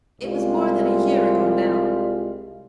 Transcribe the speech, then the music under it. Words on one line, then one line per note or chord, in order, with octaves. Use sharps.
It was more than a year ago now.
C2 G3 G#3 F4